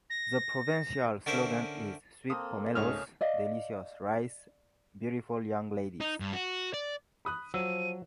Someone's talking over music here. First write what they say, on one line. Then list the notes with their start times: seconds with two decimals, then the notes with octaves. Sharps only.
The provincial slogan is "Sweet pomelos, delicious rice, beautiful young ladies".
0.10 A#6
1.26 D3 C#4 A#4 C5 E5
2.30 A#3 C4 A4 D#6
2.75 C#2 G#2 A3 G#4 C#5 F6
3.21 D5 D#5 F5
6.01 D#4
6.20 G2
6.33 F#4
6.74 D5
7.25 B5 D#6 F#6
7.54 F3 F#3 E6 D#7